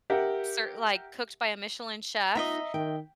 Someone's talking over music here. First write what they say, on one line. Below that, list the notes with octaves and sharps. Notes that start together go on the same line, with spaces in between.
ser like cooked by a Michelin chef
G4 A#4 E5 F#5
B3 D#4 F4 D#5 E5 A#5
D#3 G5